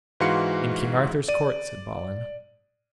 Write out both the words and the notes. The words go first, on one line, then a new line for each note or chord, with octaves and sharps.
In King Arthur's court, said Balin.
G#2 E3 F#4 F5 C6 C#7
D5 D#7